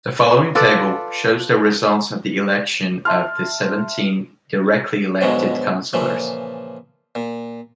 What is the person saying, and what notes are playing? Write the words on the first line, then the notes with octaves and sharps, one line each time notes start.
The following table shows the results of the election of the seventeen directly-elected councillors.
F4 A4 B4 D5
E5 A5 C6 F6
G#2 B2 D3 F3 F#3 G#3
A#2 C#3 E3 F3
A#2